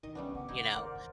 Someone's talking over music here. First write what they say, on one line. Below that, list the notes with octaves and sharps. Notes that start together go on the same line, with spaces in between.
you know?
B1 D#3 D#5
G3 A3 B3 C#4 D4
C#3 F#5 D6
G#2 C#3 A3 D#4 E4
D#3 A#4 C5 D5
E2 E3